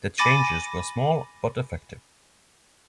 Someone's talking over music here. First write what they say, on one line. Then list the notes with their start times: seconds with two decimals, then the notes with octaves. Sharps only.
The changes were small, but effective.
0.18 G#5 B5 D6 A6 A#6 D#7